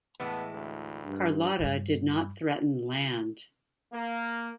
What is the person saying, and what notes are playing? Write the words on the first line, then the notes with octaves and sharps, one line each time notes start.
Carlotta did not threaten land.
A2 E3 G#3 B3
D2
G2
G2 G3
A#3